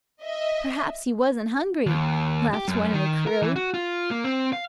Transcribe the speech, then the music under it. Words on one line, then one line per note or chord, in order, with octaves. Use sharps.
"Perhaps he wasn't hungry," laughed one of the crew.
D#5 E5
D#2
G4
F#2
D#3
A#4
E3
F#4
F4
A#3
C4
F5